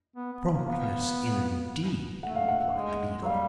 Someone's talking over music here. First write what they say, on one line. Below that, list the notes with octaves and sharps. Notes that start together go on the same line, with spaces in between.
'Promptness, indeed!' replied the beadle.
B3
B3
A#3
B3 F5
A3 F#5
F5
F#5
G#3
F#3
G3 F5